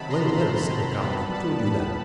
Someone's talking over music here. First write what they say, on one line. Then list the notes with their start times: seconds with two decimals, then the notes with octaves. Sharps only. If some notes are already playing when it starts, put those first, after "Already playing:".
"Well, well," said the count, "who told you that?"
Already playing: C3 D#3 F#3 A5 B5
0.10 A#5 C6
1.02 A#2 G3 B3 A5 B5
1.34 A5 B5
1.64 A5 B5